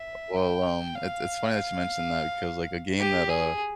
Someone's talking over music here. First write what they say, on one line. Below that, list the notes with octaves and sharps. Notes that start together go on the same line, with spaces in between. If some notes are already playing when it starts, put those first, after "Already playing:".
Well, um, it's it's funny that you mentioned that because, like, a game that, uh,
Already playing: E5
G5
F5
F5
G4
G#4